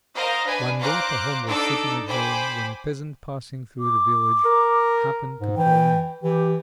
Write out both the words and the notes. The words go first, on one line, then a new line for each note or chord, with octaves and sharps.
One day Pahom was sitting at home, when a peasant passing through the village, happened to call in.
A#4 C5 D#5 F5 A#6
D4 B4 G#5
C5 F5 A#5 D6 F#6
D4 D#4 A4 D6 E6
C5 G5 G#5 B5 D6
D6
A#4
G#2
E3 G5
E3 G4